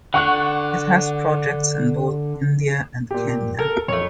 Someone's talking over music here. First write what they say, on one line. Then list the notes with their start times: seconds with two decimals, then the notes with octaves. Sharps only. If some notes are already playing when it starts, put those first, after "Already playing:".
It has projects in both India and Kenya.
0.14 D3 F#5 C#6 F#6
3.11 A#2 G4
3.59 A4 A#4
3.88 F2 A3 C#5